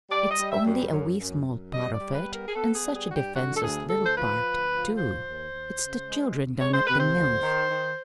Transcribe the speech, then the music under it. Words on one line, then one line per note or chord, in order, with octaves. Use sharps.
"It's only a wee small part of it--and such a defenseless little part, too. It's the children down at the mills."
G3 D5
D#5
G3
E5
F#2
F#2
F#2
F#2
G3 D#5
D5
G3
B4
B3
A#4
G#4
B3 A4
G#4
G3
G#4
G2 F#4
G4
D3 F#4
A4
D2 G#4
D2 A4
C5
F3 B4
D2
F3
D#2 C5
D#2
D#2
C#3
G#3
D#2
G#3 C#5
C5
C3 B4
C5
D2
D#3
D#3